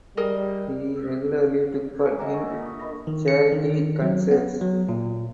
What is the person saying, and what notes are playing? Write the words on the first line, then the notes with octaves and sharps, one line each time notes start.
He regularly took part in charity concerts.
G3 G#4 A#4 D#5
G4 A4 A#4 G#5 C#7
D#5 E5 F#5 G#5 A#5 D6
C#6
A#3 D4 E4 F4 G#4 A4
C#6 D#6
A#4 D#5 B5 C#6 A#6
D#3
C#7
D#3
F#3
B3
F#3
A#2